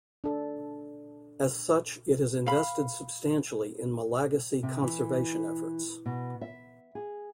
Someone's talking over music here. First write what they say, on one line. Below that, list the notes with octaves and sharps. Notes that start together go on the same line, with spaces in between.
As such, it has invested substantially in Malagasy conservation efforts.
D4 A4
F5 B5
C3
E3
B2
E5
G#4